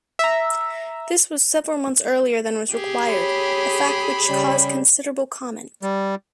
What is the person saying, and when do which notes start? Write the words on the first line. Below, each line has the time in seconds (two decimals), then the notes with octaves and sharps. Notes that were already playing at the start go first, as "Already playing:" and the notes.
This was several months earlier than was required, a fact which caused considerable comment.
0.19 E5 A#5
2.73 G4 G#4
3.10 C#5 B5
4.27 C#3 G3 C#4
5.83 G3